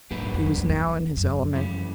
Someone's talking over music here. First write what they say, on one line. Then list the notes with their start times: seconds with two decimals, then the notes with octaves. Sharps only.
He was now in his element.
0.11 G#2 F#3 A#3 D4 G4 B4
0.23 F#2
0.34 F2
0.46 E2
0.58 F2
0.69 E2
1.17 F#2
1.51 F2 C#3 E3 G3